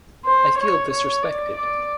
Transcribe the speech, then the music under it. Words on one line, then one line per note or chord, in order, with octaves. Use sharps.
I feel disrespected.
C5
C#5
C#5
D5
D5